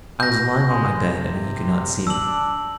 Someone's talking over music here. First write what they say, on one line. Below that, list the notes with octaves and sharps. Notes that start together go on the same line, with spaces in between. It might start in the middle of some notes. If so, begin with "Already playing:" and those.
I was lying on my bed, and he could not see me.
G6 A#6
G#3
C3
D4 E6 F#7